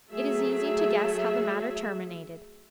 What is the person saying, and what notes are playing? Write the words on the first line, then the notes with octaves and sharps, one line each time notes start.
It is easy to guess how the matter terminated.
F#3 A3 G#4 E5